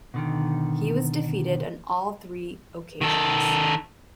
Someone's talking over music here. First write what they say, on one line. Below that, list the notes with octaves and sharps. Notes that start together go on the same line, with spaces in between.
He was defeated on all three occasions.
B2 D3 D#3
D#3 A4